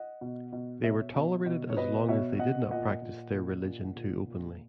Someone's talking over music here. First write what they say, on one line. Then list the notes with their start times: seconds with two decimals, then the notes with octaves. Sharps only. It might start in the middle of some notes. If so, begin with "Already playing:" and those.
They were tolerated as long as they did not practice their religion too openly.
Already playing: D#5 F#5
0.21 B2
0.53 B2
0.83 B2 C#5 E5
1.15 B2
1.46 B2
1.70 C#5
1.77 B2 B4 D#5
2.08 B2 C#5 E5
2.39 B2 D#5 F#5
2.71 A#2 D#5 F#5
3.02 A#2
3.34 A#2
3.65 A#2
3.96 A#2
4.27 A#2